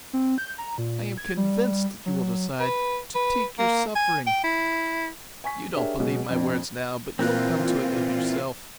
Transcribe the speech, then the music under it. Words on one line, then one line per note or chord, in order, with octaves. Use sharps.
I am convinced that you will decide, 'to take your suffering.' You don't believe my words now, but you'll come to it of yourself.
C4
G6
A#5
A#2
A#2
G#6
G3
F#3
B4
B4
A#3
G#5
G5
E4
G#5 C#6 B6
D4 G4 G#4 A#4 C#5 E5
B2 F#3 G#3
A#1 F2 C4
A#2 E3 C4 F4 A#4 F#6